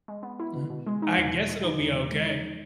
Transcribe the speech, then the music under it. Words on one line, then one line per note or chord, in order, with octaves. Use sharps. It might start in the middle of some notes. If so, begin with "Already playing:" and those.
Mhm. I guess it'll be okay
G#3
B3
E4
B2
B2
G#3
D#4
E2
B2
G#3
D#4
E2
B2
G#3
D#4